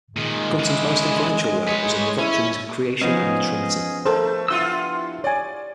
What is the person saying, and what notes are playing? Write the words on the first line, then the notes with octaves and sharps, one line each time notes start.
Gunton's most influential work was on the doctrines of Creation and the Trinity.
A#2 D#3 G#3
C#3 E4
B4 C#5
C#4 E4
F3 B3 C#4 D#4 G#4 D#5
A3 A4 A#4 C5
G2 E4 F4 F#5 C6 E6
C#5 D5 G#5